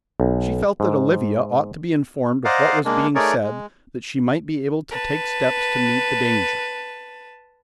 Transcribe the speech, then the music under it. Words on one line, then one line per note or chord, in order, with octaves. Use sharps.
She felt that Olivia ought to be informed of what was being said that she might be able to take steps to meet the danger.
B1
G#2
C5 D5 D#5 F5 F#5 A#5
G#3 A#3 D4
A3 D#4 G#4 A#4 C#5 D5
G#3
B4 A5